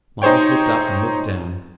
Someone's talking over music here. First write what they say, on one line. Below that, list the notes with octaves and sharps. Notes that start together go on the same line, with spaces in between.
Myles looked up and looked down.
D#4 G#4 C5 C#5 G5